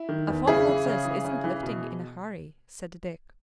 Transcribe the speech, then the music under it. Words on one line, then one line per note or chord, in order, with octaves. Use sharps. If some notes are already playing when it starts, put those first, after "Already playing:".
"A fog like this isn't lifting in a hurry," said Dick.
Already playing: E4
D#3
E2
C#3 E4 G#4
E3
C#3
E3
C#3
E3
B2